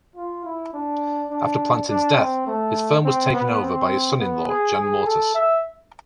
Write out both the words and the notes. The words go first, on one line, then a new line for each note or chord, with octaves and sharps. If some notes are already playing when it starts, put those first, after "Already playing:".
After Plantin's death, his firm was taken over by his son-in-law, Jan Moretus.
F4
E4
D4
D4
D4
C4
A3
C4
B3
C4
B3
G#4
G#4
A4
E5